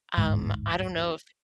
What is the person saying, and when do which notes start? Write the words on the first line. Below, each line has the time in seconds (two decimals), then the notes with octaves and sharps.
Um, I don't know if
0.18 D1 G1 G#2